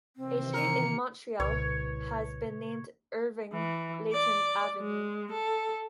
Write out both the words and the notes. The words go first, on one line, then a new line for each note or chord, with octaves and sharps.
A street in Montreal has been named Irving Layton Avenue.
C3 D#3 E3 C4
A#3 A#4 C#7
C2 A#2 C#3 B4 C#5
E3
D5
G#3
A4